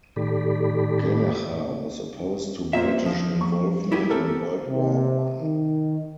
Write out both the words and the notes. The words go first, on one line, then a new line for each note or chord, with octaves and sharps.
Gallacher was opposed to British involvement in World War One.
A2 D#3 G4 A4 D5 B5
A#2 C5 E5
F3
C#6
E4 G4 G#4
C4 A4 A#4
C3
D#3